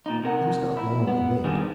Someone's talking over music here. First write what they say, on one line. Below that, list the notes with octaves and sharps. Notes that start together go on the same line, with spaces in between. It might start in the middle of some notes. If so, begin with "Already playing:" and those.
It was not long to wait.
A#2 D#4
C3 A#4 F#5
E4
B3
D3 D#3 G3 C4 G#4